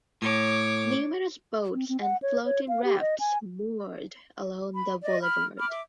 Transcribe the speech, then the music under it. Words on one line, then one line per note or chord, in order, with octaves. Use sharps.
Numerous boats and floating rafts moored along the Boulevard.
A2 C#5 D6
C4
C4
F#5
C#5
C#5
F5
G4
D#5
G#5
B5
D5 D#5
B5 F6
B5 D6 F6
E5 D6